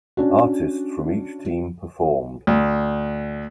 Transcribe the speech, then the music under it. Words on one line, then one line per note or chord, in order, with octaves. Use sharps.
Artists from each team performed.
C#4 D4 F#4
D2